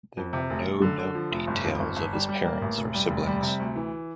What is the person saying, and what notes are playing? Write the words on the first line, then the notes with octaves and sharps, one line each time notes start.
There are no known details of his parents or siblings.
F2
C3
F1
F1
D3
D3
F3
F1
G1
F2
G1
G1
G3
G3
A#3
A1
F1
G3
F1
G3
C3
D2
E3